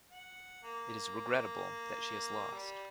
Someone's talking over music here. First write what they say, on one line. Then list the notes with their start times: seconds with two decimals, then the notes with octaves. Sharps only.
It is regrettable that she has lost.
0.11 F#5
0.63 A#3
2.52 G3